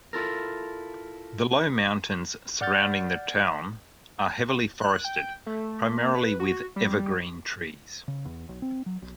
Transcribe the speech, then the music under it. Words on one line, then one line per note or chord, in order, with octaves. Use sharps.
The low mountains surrounding the town are heavily forested, primarily with evergreen trees.
E4 F4 A4 A#4
D5 F#5 F6 G6 A6
F#6
G5
A3
A#3
B4
F#4
G3
C#3
E2
B1
C4
F#3
B1